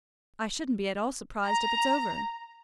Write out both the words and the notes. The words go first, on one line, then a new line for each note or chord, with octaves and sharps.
"I shouldn't be at all surprised if it's over."
A#5